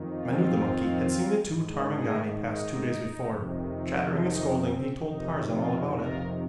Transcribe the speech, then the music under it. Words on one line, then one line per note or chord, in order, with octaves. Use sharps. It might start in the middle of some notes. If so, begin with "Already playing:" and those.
Manu, the monkey, had seen the two Tarmangani pass two days before. Chattering and scolding, he told Tarzan all about it.
Already playing: F2 D#3
C4 F4
G#2 D#3
D#4 G#4
D#4
F2 C3 D#3
C4
D#4
C4
F2 C3 D#3 D#4
C4 F4
F4 A#4